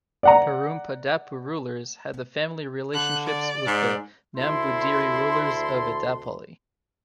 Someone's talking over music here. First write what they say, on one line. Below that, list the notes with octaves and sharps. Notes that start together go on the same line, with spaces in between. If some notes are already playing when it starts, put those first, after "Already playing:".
Perumpadappu rulers had family relationships with the Nambudiri rulers of Edappally.
D5 F#5 A#5
D3 F#6
D5
G#2
D2 E4 A5 C6